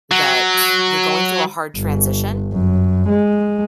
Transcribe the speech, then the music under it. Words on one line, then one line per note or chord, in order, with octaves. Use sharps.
that you're going through a hard transition
F#3
G1
F#2
G#3